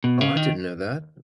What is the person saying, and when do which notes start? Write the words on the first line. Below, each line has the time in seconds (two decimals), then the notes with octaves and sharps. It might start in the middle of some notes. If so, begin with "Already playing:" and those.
Oh, I didn't know that.
0.04 B2
0.21 C#3
0.37 D#3